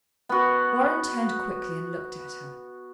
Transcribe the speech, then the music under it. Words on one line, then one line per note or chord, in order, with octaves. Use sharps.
Warren turned quickly and looked at her.
B3 F#4